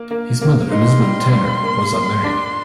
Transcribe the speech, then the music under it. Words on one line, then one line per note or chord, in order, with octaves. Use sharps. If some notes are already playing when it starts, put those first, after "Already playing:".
His mother, Elizabeth Taylor, was unmarried.
Already playing: A#3
A#3
A#3
D#4 C6
G3
G3
A#3
A#3
D4